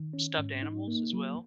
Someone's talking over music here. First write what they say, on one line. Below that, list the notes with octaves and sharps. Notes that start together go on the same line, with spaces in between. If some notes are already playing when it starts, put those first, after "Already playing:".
stuffed animals as well.
Already playing: D#3
C#4
G#2
D#4
A#3
F#3